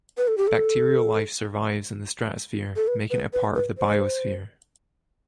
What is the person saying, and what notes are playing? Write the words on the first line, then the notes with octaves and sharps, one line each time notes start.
Bacterial life survives in the stratosphere, making it a part of the biosphere.
B4
A4
G4
A4
A4
B4
B4
B4
B4
C5